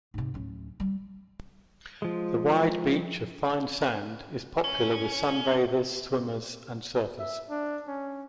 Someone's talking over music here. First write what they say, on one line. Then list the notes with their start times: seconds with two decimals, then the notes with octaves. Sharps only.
The wide beach of fine sand is popular with sunbathers, swimmers and surfers.
0.14 G#2 C3
0.34 D1 C#4
0.80 G3
2.02 F3 G#3
4.64 C#4
7.19 E5
7.50 D4
7.87 C#4